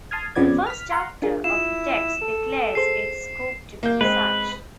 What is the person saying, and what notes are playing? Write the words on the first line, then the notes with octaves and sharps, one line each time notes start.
The first chapter of the text declares its scope to be such.
A5 C6 D#6 F6 G#6
F2 C#3 F3 B3 D5 G#6
F6 B6
F5 F#5 A#5 C6
A#3 D4 F4 G#4
E4 F4 E7
A4
G#4 C5 C7
A#3 G6
G#3 C4 B4